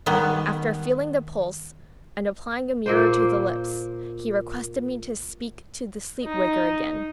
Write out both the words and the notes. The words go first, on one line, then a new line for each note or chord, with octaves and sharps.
After feeling the pulse and applying a mirror to the lips, he requested me to speak to the sleep-waker again.
D#3 G3 G#3 B3
A#2 A#3 C5
D#4